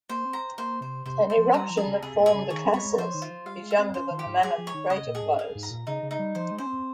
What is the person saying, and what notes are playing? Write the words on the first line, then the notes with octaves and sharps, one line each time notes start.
An eruption that formed The Castles is younger than the Mammoth Crater flows.
A#3 C5
C4
A#5
A#3 C5
C3 C5
C3 C5
C5
F3
G3 A#5
F3
G#4
C#3
C3 G#4
A#2
G#4
C#3
D#3 C#5
G3
C#5
G#3
F3 C5
D#3
F4
F3
G3 F5
G#3
F5
C4
C#4 C5
D#3
G4
G#2
G#4
F3
C#5
D#3
C#3 D#5
A#2
G#4
G#2
F5
G#2
A#5
A#2
C#3 D#4
C#3
D#4
G3
F3 C5
G#3
C#4 C5
C4